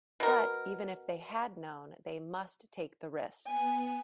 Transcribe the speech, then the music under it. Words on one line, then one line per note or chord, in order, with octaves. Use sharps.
But, even if they had known, they must take the risk.
B2 A#4
B3 G#5